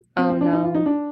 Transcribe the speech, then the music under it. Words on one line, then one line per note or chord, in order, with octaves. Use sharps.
Oh no.
C4
C4
D4
D#4
F4
D#4
D4